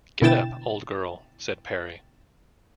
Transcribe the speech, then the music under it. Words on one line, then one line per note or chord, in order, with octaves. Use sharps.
"Get up, old girl," said Parry.
B2 D3 E4 G5 A6 E7